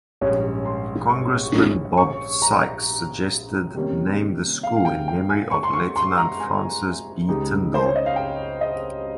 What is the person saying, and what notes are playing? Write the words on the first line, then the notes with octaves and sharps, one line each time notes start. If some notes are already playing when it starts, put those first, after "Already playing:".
Congressman Bob Sikes suggested naming the school in memory of Lieutenant Francis B. Tyndall.
A#1 G#2 G3 C#4 C#5
C6
C#6
C#6
A#5
C3 D#3 G3 A#3 C#4
F5
F5
G5
G5
G#5
C#6
C6
C#6
C6
A#5
G#5
C#2 C#3 G#3 D#4 G4
C5
C#5
D#5
F5
G5
D#5